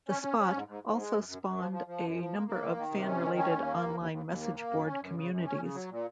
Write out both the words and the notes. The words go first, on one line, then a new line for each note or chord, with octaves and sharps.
The Spot also spawned a number of fan-related online message board communities.
C#4
C#4
C#4
G#2
G#2
G#2
G#3
F#2
F#2
F#2
F3
F3
F3
F#2
F3
A#3
A#3
D#3
D#3
C3
C#4
D#3
C#4
D#2
A#3
D#2
D#2
D#2
D#2
A#3
A#3
F#2
C#4
F#2
C#3
F#2
C#4
C#3
F#3
A#2